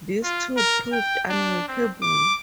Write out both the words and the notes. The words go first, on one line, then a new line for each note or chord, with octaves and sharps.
This too proved unworkable.
F4
A#4
G5
D4
C4
D6